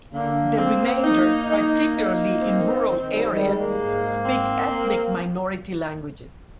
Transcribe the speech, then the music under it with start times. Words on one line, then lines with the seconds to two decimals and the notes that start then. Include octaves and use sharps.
The remainder, particularly in rural areas, speak ethnic minority languages.
0.12 D3 A#3
0.58 C4
1.04 D#4
1.50 D#4
1.95 D#4
2.42 C4
2.88 D#3
3.10 G3
3.33 G3 G#3
3.56 A#3
3.79 G#2
4.25 C4
4.70 A#3